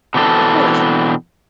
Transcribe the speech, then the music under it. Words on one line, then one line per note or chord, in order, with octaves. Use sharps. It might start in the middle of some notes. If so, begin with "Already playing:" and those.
Of course.
B2 E3 C4 D4 A4